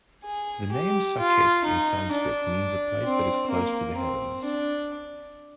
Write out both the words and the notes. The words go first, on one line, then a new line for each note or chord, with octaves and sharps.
The name Saket in Sanskrit means a place that is close to the heavens.
G#4
G4
F4
D#4
D4
C4
A#3
C4
D4